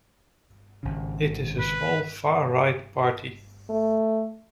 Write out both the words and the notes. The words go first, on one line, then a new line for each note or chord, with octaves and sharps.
It is a small far-right party.
G#1 C#3
B4
A3